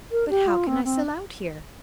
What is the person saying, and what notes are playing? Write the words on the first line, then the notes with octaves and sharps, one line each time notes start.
"But how can I sell out here?"
A#4
G4
F4
C4
C4